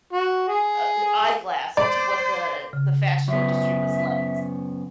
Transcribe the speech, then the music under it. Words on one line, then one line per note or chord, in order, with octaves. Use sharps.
uh eh eyeglass into what the the fashion industry was like it’s
F#4
G#4
C5 D5
C#3
F#2 B3 E5